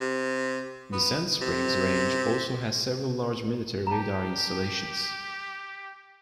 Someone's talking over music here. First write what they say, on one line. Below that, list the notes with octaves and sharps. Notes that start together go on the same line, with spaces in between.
The Sand Springs Range also has several large military radar installations.
C3
B3
C3
G4 A5 A#5